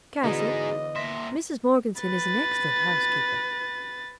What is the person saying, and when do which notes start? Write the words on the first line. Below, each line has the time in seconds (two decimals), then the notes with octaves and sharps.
"Cassy, Mrs. Morgeson is an excellent housekeeper."
0.23 D3 E3 G#3 B3 D#4 F#4 G#4 D#5
0.96 A#2 E5 C6 A#6
2.01 B4 A6